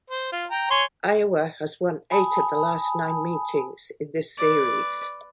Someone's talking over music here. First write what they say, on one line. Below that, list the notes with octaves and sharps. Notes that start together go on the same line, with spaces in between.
Iowa has won eight of the last nine meetings in this series.
C5
F4
G5 A#5
C#5 G#5 C6
G#5 A5 B5 D#6
B4 D5